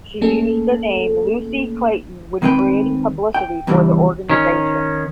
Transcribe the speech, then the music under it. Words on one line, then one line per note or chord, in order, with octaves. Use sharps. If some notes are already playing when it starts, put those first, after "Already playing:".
She used the name "Lucie Clayton" when creating publicity for the organisation.
A3 A#3 C#4 G#4 A4
D#3 G#3 C4 B4 G5
G5
E2 G2 C#3 E3
D#3 C#4